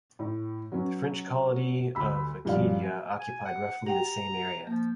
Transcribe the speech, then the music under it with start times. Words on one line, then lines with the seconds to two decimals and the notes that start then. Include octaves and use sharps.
The French colony of Acadia occupied roughly the same area.
0.19 A2
0.72 F#3 B3 C#4
1.95 D2 B5 E6
2.45 D#1 G2 F3 D5 F5
3.19 G#5
3.45 F#5
3.87 G4 F#5 G5 A#5
4.67 F3 A#3